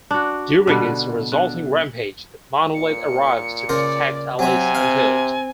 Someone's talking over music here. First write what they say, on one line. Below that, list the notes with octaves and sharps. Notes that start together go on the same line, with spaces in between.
During its resulting rampage The Monolith arrives to protect Alice and Tilt.
D4 F#4
B2 D3 G3
D3
A#2 C#7
C#3 A#4 C5 D5
C3 F#3 C4 E5 G#5
C4 F5